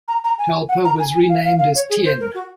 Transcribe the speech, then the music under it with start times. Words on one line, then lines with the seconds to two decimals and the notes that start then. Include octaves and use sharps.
Talpa was renamed as Tien.
0.08 A#5
0.24 A#5
0.38 G#5
0.69 F#5
0.85 A#5
0.99 G#5
1.14 G#5
1.29 F5
1.44 F5
1.59 F5
1.75 C#5
1.90 G#4
2.05 C5
2.20 A#4
2.35 F#4